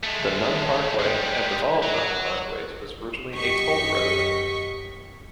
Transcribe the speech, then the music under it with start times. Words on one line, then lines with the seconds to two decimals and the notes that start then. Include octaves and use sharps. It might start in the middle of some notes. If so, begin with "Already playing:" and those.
The Nunn Parkway, as with all nine parkways, was originally a toll road.
0.03 G#3 A3
0.99 G3 G#3
1.83 F#3
3.36 F#2 G4 D#5 C#6 B6